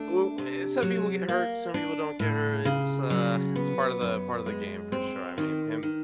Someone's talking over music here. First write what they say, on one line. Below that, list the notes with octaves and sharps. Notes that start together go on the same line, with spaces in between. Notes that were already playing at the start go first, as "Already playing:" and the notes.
u eh some people get hurt, some people don't get hurt, it's, uh, it's part of the part of the game, for sure. I mean, him
Already playing: A3 D4
C3
F#3
A#3
D4
A2
C#3
F#3
B3
F#2
G#3
C4
D#3
D#3